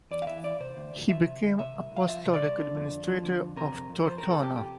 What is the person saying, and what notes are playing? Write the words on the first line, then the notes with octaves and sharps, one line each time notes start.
He became apostolic administrator of Tortona.
E2 D5
F5
E3 E5
E2 D5
C3 C5
D2
D2
F3 E5
C3
D2
C3 E5
C2
C2 F5
F3 E5
C3
D5
C2
D3
F2
F2
F3
D3
F2
C3 A#4
F2
F2
F3 C5
A#4
C3
A4
F2 G4
C3 G4